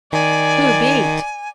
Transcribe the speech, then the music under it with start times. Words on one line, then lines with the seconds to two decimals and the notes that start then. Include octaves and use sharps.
"Who beat?"
0.13 D#3 D5 G#5